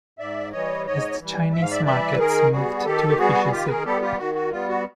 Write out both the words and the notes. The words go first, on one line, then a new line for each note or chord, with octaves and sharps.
As the Chinese markets moved to efficiency.
G#2 D5 E5
E3 G3 C#5 D#5
G#2 C#5 D#5
E3 G3
G#2 E5
F5
D5 E5
E3 G3 D5 E5
B4
D#3 G#4 A#4
G3 B3 F#4 G#4
D#3 G4 A4
G4
G3 B3 F#4 G#4
G#4
D#3 F4 G4
B4
G#4 A#4
G3 B3 G4 A4
F4 G4
D#3 F#4
F#4
G3 B3 F4
F#4